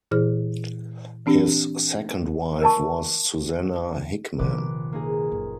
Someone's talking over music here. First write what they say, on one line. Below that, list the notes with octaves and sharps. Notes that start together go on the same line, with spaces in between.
His second wife was Susannah Hickman.
A#2 E3 E4 G#4 C5 F6
E3 C4 D4 G4
A#4 D#5 G#5 A5 C#6
A#1 C3 D#3 B4 D6
A#3 D#4 G#4
F#1